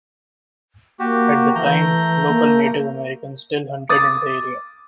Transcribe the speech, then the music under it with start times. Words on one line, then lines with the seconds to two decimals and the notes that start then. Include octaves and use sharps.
At the time, local Native Americans still hunted in the area.
0.99 A#3 F#4 G4
1.55 E3 A3 A#5 G6
2.27 A#3
3.89 D6 D#6 A6